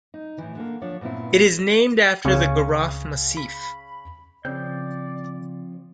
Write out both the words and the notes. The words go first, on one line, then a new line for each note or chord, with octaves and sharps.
It is named after the Garraf Massif.
D#4
A2 E3
D3 A#3
F3 D4 C#5
G2 A#2 B3 C4 E4
C#2 C#3 C#4 C#6
B5
C#3 F3 C4 D5 G6